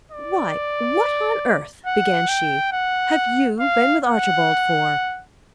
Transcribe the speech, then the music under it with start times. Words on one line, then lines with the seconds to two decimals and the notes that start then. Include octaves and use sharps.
"Why--what on earth!" began she, "have you been with Archibald for?"
0.11 D5
1.86 F#5
2.28 G5
2.72 F#5
3.60 F5
4.04 F#5